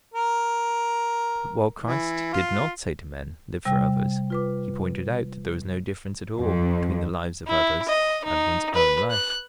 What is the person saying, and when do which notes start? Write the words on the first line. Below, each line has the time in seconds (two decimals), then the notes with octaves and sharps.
But while Christ did not say to men, 'Live for others,' he pointed out that there was no difference at all between the lives of others and one's own life.
0.14 A#4
1.83 E3
2.33 F4
3.65 C3 G3 G5
4.30 F4 B4 D6
6.38 F2
7.47 E4
7.88 D#5
8.24 D#4
8.74 B4
9.10 F#6